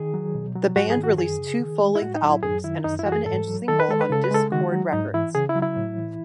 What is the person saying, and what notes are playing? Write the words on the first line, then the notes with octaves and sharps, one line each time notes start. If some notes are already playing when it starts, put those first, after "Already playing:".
The band released two full length albums and a seven-inch single on Dischord Records.
Already playing: D#3 G#4
F#3
B2
F#3
G#2 F#4
G#4
D#3
F#4
F#2 G#4
C#3
D#3
G#3
E4
A2 F#4
D#4
F#3
E4
F#2 G#4
D#3 E4
F#2 D#4
E4
E3 F#4
G#4
G#2 A4
F#3
D#3 A4
B4
G#3 A4
B4
C#3 A4
B4
G#3 A4
D#3 F#4
F#3
G#2 D#4
E3 E4
C#3 G#4
E4
F#3
E4
A2
E3